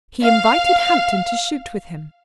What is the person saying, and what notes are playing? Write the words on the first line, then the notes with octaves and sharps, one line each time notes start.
He invited Hampton to shoot with him.
F5